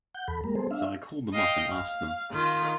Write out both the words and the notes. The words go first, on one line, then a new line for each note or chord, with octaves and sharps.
So I called them up and asked them.
F#5 G6
E2 A4 B5
G3 G#3 A#3 A#4
G3 B3 G#4 A4 C5
D4 E5 F5
D#5 F5 G5
F5
D#3 F4